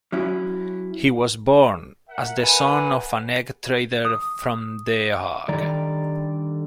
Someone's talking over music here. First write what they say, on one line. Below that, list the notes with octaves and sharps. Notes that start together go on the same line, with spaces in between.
He was born as the son of an egg trader from The Hague.
F#3 C#4 E4
A#4 E5 F#5
B4 G#5
D#6
D3 D#3 G3 D5 A#5